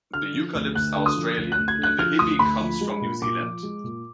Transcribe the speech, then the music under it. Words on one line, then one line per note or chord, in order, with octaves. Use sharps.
The eucalypts are Australian; and the hebe comes from New Zealand.
D3 F6
F3
D2
D2 F#6
D3
D#6
F3
D2
F#6
D2
G#6
D3
F#6
F3 F6
D2 D#6
D2 B5
F3
G#3
A#2
A#2 D6
F3
G#3
A#2